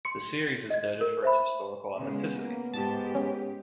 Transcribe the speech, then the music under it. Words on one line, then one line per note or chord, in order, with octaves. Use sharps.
The series is noted for its historical authenticity.
C6 C#7
D#5 G#6
A#4
C5 E5 B5
C#3 G#3 B3
A#3
G#2 G#3 G4 A5
C#4